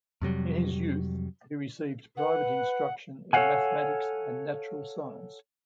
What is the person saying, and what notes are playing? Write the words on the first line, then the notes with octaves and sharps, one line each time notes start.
In his youth he received private instruction in mathematics and natural science.
F2 C3 F#3 G3
B4 F#5
A4 C#5 D5 F5 F#5 G#5